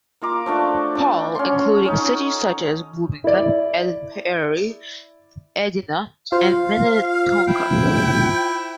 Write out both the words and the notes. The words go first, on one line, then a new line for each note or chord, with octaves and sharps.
Paul including cities such as Bloomington, Eden Prairie, Edina and Minnetonka.
A#3 F4 A#5 D6
F3 A3 D4 F#4
D4
C#4 F#5 C6
C#4 D#4
E4 D5
F4 C5 F5
E4 G5